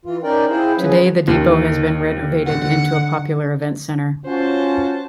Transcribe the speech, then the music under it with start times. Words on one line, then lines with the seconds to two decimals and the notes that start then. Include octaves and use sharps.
Today, the depot has been renovated into a popular events center.
0.05 E3 F4
0.23 C#4 D#4 A#4 D5 G5
0.49 C4 E4 F4 G#4 C5
0.77 F3 F#3 C#4 G#4 B4
1.28 D#2 D#3
2.46 D3 F#5
4.26 C#4 F4 F#4 C5 A5